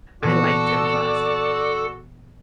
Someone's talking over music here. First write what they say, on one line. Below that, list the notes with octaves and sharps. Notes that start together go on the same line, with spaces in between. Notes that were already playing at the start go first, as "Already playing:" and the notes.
I like gym class,
A#2 E3 B3 F#4 A4 D5